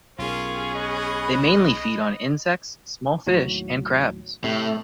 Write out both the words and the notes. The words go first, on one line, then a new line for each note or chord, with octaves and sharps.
They mainly feed on insects, small fish and crabs.
B1 C#4 F4 G4 G#4 A#4
D#5 B5 F#6
D#2 A2 F#3
A2 C3 A3